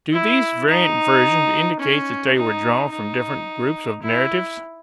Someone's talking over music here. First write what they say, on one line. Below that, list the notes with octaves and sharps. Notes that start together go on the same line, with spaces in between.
Do these variant versions indicate that they were drawn from different groups of narratives?
E4
D#4
C#4
D#4
D#4
E4